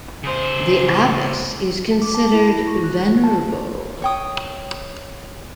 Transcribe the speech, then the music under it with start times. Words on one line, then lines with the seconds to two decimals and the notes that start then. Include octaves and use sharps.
The abbess is considered "Venerable".
0.23 C#3 C5
2.02 D6
2.15 A5
2.33 E4
2.51 A#6
2.67 C#6
2.84 F#6
3.24 A5
4.02 C#5 G5 D#6